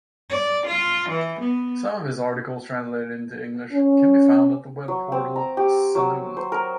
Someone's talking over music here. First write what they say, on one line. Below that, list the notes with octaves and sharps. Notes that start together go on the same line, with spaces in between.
Some of his articles translated into English can be found at the webportal Salon.
D5
F4
E3
B3
C#4
F#3
C4
A#5
G4
F#3
C5
A#4